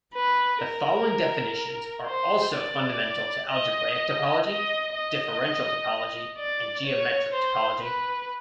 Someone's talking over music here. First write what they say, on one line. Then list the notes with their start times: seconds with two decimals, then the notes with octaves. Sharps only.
The following definitions are also fundamental to algebraic topology, differential topology and geometric topology.
0.15 B4
0.63 A#4
2.07 C5
2.55 D5
3.51 D#5
4.47 D#5
4.94 D#5
6.38 D5
6.87 C#5
7.34 C5
7.83 B4